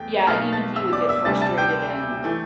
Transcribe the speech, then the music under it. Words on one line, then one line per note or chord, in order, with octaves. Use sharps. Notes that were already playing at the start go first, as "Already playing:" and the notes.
yeah, even he would get frustrated and
Already playing: E2 A3 G5
B1 B2 A3 F5 F6
A5 A6
E5 E6
D5 D6
E5 E6
D2 C3 G3 A5 A6
A5 A6
G5 G6
E3 A3